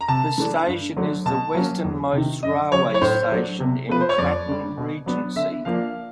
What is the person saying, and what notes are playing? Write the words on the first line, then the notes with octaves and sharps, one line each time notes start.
The station is the westernmost railway station in Klaten Regency.
A#5
C3 A5
E3 A3 D4
G2
D3 F#3 A3 D4
B2 A5
F#3 A#3 C#4
E2
C3 D#3
F#2 D#5
C#3 F#3 C#5
C#5
A2 C5
F#3 A3 D4
C3
F3 A3 B4
C5
C#5
F2 D5
D3 G3
B2
F#3 B3 D4
D3 E5
F3 A#3 D4 F5